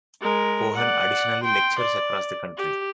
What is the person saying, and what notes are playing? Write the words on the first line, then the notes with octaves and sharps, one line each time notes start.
Cohen additionally lectures across the country.
G#3 A#4
D5 F#5
G5 C6
D5
G4